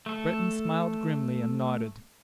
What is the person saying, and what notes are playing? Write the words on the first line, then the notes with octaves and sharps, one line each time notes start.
Breton smiled grimly and nodded.
A3 A4